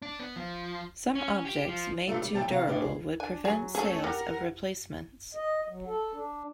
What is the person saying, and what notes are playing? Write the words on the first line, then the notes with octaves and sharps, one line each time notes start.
Some objects made too durable would prevent sales of replacements.
D4
B3
F3
C#4
G4
F3
G2 A#2 A3 F4
G3
F2 A2 F#3 D4 G5 A5
C3 C4 F#4 F5
A2 C#4 D4 B4 D#5
G#4
D4 G#5
F#3 G#4
A3 C#4 G#4 A4
G3 A#4 F#5
D#5
F#3
A4
D4